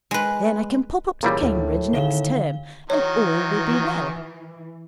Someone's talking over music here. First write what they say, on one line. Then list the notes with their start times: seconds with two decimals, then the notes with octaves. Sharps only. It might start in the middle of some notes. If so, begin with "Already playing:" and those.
Then I can pop up to Cambridge next term, and all will be well.'
0.11 G#3 B4
1.23 A#2 C#3 E3 G3 A#4
1.42 D2 A2
1.93 D3 D#3 F5 G7
2.90 D#3 E3 F#3 C#5